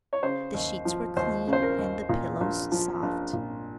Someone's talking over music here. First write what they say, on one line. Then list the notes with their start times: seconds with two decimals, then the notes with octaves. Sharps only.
The sheets were clean and the pillows soft.
0.13 C#5
0.23 C#3 C5
0.54 D#2
0.85 F3
1.16 D#2 C5
1.47 C#3
1.53 C5
1.63 A#4
1.78 D#2
2.09 A#2
2.41 A#1
2.72 F3
3.02 A#1
3.33 A#2